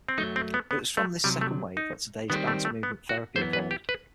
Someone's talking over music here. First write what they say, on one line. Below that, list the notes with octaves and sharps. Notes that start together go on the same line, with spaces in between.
It was from this second wave that today's Dance Movement Therapy evolved.
C4
F#2 F#3 A3 D#4
C4
B3
B3
A3
C2 C3 F#3 G3
A3
D#4
D#3 G3 B3 C4
A3
A3
B3
F#4
F#2 E3 B3 C5
B4
G4
B4